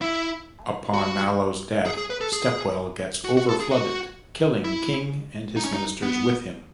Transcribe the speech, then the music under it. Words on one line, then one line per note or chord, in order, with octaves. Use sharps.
Upon Malo's death, stepwell gets over-flooded, killing king and his ministers with him.
E4
F#4
G#4
G#4
B4
A4
G#4
F#4
F#4
A4
G#4
F#4
E4
D#4
C#4
D#4
B3